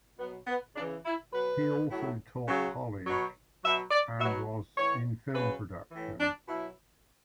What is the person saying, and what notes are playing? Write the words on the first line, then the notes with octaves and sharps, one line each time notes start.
He also taught college and was in film production.
B2 F#3 B3
B3
C#3 E3 D4
E4
B2 F#3 B4
A2 F#3
C#3 F#3
B2 F#3 C#5
B2 F#3 E5
D5
B2 F#3 E5
A2 E3 C#5
C#3 F#3 B4
A2 E3
D4
B2 F#3 E4